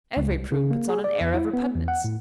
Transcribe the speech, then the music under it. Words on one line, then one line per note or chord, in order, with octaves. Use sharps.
Every prude puts on an air of repugnance.
C#2
C2
C#3
A#3
G#4
D5
E2
E4
B3
E2
F#5
A2